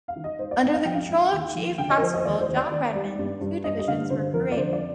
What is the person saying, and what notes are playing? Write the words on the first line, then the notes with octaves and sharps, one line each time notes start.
Under the control of Chief Constable John Redman, two divisions were created.
F5
D#3
D#5
G#2 C5
D5
G#2
F5
F3 G5
F5
G#2
D#2
F3
D3 G5
D#5
A#4
F3 C5
D#5
C5
D#2 D5
C5
D#2
D5
D#3
G3
G2
G2
G2 D#5
D#5
D3 F5
D3 C5
F2 A#4
D5
D3 C5
D5